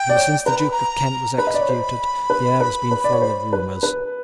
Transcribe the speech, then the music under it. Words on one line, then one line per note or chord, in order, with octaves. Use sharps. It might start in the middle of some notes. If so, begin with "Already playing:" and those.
Ever since the Duke of Kent was executed the air has been full of rumours.
Already playing: G5
D5
C#5
B4 A#5
B5
A#5
B4 B5
D#5
D5
C#5
C5
B4
B4
B4
D5
C#5
C5
B4
B4